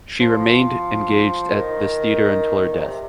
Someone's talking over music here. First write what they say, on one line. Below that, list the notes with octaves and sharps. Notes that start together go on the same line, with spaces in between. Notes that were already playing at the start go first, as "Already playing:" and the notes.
She remained engaged at this theater until her death.
F3
D#3
A#2
C3